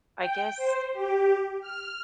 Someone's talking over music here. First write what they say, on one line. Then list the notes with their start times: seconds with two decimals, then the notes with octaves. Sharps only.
I guess
0.18 G5
0.56 C5
0.92 G4
1.60 F6